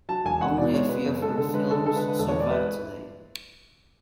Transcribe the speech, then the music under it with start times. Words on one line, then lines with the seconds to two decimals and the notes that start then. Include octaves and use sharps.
Only a few of her films survive today.
0.09 F#3 A5
0.25 E1 G#5
0.41 E1 F#5
0.57 B2 D5
0.74 G#3 C#5
0.89 B2 B4
1.05 F#1
1.22 G#3 A4
1.37 D3 A4
1.54 G#3 B4
1.69 D3 A4
1.86 G#3 A4
1.96 B4
2.02 D3
2.08 B4
2.19 E1 A4
2.28 C#5
2.35 G#3
2.40 D5
2.50 E4 B4